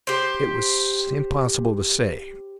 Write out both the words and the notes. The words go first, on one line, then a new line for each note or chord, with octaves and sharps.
It was impossible to say.
G4 C5